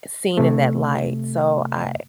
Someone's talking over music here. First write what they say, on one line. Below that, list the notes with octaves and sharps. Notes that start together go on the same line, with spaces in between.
seen in that light, so I
C3 A3